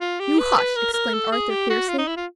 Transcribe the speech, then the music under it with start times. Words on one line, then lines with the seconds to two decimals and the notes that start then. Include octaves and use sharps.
"You hush!" exclaimed Arthur fiercely.
0.01 F4
0.19 G4
0.38 B4
0.57 B4
0.76 A#4
0.94 A#4
1.13 A4
1.32 G#4
1.50 G4
1.70 F#4
1.88 F4
1.98 D#4
2.07 E4
2.16 F4